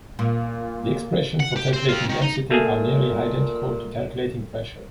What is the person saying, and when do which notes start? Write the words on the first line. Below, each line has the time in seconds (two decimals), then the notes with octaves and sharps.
The expressions for calculating density are nearly identical to calculating pressure.
0.19 A#2
1.40 F#5
1.56 G4
1.74 C4 C5
1.89 C4 F4
2.10 D#3
2.22 D#4
2.50 A#2 A3 A#3 G#4